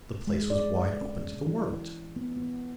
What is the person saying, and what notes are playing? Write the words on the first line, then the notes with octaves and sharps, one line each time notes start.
The place was wide open to the world.
G#3
D5
C#4
E3
B3
B3